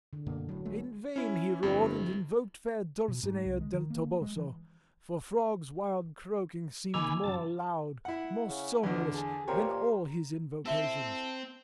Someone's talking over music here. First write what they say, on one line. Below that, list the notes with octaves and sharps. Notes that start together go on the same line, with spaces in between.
In vain he roared, and invoked fair Dulcinea del Toboso: for frogs' wild croaking seemed more loud, more sonorous than all his invocations.
D3
F#2 B2 A#3
D#1 A2 F#3
G#1 G#3 A3
C#4 E4
G1 F2 E4
B2
G#2
C2
G#3
D#3
A#3
G#3
E3
D#3 A#3 D#4 G#5 B5 D6 E6 F7
F#2 C#3 F#3 A5
E4 F#5
C#3
E2 B2 D3
G#4 A5
A#2 G4 A#4 C5 C#5
C4 E4 A4